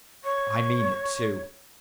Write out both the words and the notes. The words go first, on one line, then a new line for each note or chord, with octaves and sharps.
I mean it too.
C#5 C#6